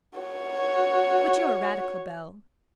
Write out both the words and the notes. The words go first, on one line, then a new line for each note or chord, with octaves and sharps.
But you're a radical, Bell.
F#4 C#5